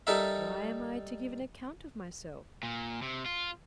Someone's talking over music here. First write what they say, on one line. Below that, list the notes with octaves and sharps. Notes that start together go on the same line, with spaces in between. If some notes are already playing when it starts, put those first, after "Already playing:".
Why am I to give an account of myself?
G3 D#4 A4 A#4 E5
A#2
C3
F4